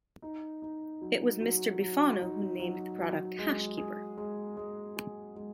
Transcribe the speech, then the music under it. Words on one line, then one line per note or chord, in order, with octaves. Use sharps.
It was Mr. Bifano who named the product HashKeeper.
D#4
D#4
F#3
F#3
F#3
D#4
F#3
F#3
G#3
G#4
G#3
G#3
G#4
G#3